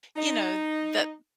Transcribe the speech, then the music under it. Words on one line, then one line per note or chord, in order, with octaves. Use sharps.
you know, that
D#4